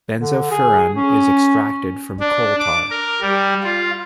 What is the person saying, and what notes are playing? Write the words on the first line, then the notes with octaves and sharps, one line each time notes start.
Benzofuran is extracted from coal tar.
D3
G#4
C#4
D4
D6
A#4
G3
F4